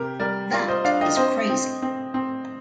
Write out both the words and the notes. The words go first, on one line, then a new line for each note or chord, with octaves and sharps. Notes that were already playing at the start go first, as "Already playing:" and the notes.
That is crazy.
Already playing: C3 G4 A#4
G3 A#4 D5
F4 A#4 D5
C5 D#5
D4 D5 F5
D#5 G5
C4 C5 D#5
C4
C4
C4